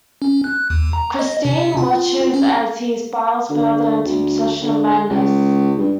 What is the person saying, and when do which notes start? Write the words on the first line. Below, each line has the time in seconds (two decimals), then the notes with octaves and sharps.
Christine watches as he spirals further into obsession and madness.
0.22 C#4
0.44 F#6
0.70 D#2
0.93 A#5
1.19 D#5
1.45 C3
1.77 F4
2.34 C#4
3.50 D3
4.05 D2
4.62 D3
5.10 C#2
5.78 G2